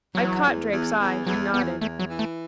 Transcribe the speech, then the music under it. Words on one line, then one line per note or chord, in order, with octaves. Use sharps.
I caught Drake's eye; he nodded.
E2 F#3
E2
E2
E2
E2 F#3
E2 B3
E2 A3
F#3
E3
A3